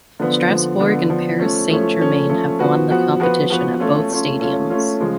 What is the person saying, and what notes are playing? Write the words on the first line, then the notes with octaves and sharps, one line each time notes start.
Strasbourg and Paris Saint-Germain have won the competition at both stadiums.
D3 F3 B3
D3 F3 B3
D3 F3 B3
D3 F3 B3
F3 A3 C#4
F3 A3 C#4
F3 A3 C#4
F3 A3 C#4
F3 B3 F#4 B4
F3 B3 F#4 B4
F3 B3 F#4 B4
F3 B3 F#4 B4
A3 C#4 F4
A3 C#4 F4
A3 C#4 F4
A3 C#4 F4
C#3 F3 G#3